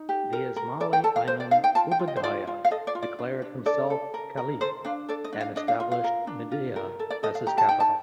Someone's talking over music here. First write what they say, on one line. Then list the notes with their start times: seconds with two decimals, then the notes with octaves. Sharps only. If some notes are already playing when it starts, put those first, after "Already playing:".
The Ismaili imam, Ubaydallah, declared himself caliph and established Mahdia as his capital.
Already playing: D#4
0.09 G4
0.33 A#4
0.56 A#4
0.80 A4 D5
0.93 G5
1.04 A4 A5
1.16 F5
1.27 A#4 C5
1.40 D5
1.51 D#4 F5
1.64 G5
1.75 F4 A5
1.91 G5
1.99 F4
2.08 D#5
2.16 C5
2.24 F4 D5
2.47 F4
2.65 F5
2.71 A4 D#5
2.87 D5
2.95 F4
3.02 D5
3.19 D4
3.42 D4
3.66 A4 D5
3.90 A4
4.14 A#4
4.37 A#4
4.61 A4 C5
4.85 D4 F5
5.09 A4 D5
5.24 D#5
5.33 D4
5.41 F5
5.56 D4 D#5
5.68 F5
5.80 F4
5.92 F5
6.04 A#4
6.27 D4
6.52 F4
6.76 A#4
6.99 A4
7.10 D5
7.23 A4 D#5
7.35 F5
7.47 G4 A#5
7.58 A5
7.69 D#4 G5
7.80 A5